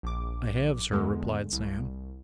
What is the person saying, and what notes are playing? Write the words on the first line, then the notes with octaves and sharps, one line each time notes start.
'I have, Sir,' replied Sam.
A#1 D6
E2 D3 G#3
C2